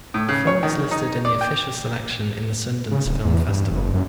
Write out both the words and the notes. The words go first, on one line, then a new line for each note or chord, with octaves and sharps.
The film was listed in the official selection in the Sundance Film Festival.
A2
C#3
C#5
D#3
D#4
D5
G5
C#3
D1
E2
G2
F#1
F#2